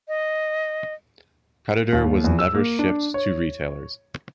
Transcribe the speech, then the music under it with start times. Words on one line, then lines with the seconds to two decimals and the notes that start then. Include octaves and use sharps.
Predator was never shipped to retailers.
0.08 D#5
1.93 D#2
2.24 E2
2.39 E6
2.55 A#3
2.79 D4
3.14 C#5